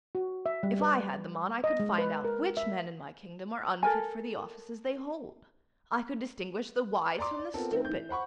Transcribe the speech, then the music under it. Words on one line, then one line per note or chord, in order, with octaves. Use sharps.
'If I had them on I could find out which men in my kingdom are unfit for the offices they hold; I could distinguish the wise from the stupid!
F#4
E5
G3
B4
D#5
G#3
B4
A#4
E5
A4 A#4 G#5
D5 A#5 C6 D6
D5
B3 C4 F4 A4 A#4
D#3 A3 C4
E3 G6
C5 F#5 B5 C#6